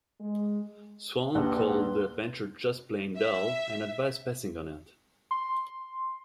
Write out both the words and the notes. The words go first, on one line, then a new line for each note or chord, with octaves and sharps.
Swan called the adventure "just plain dull" and advised passing on it.
G#3
A#1 D#2 G4 B4 F#5 C6
E5
C6